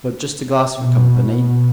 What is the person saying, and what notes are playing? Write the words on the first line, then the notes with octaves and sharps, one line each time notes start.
"But just a glass for company."
B2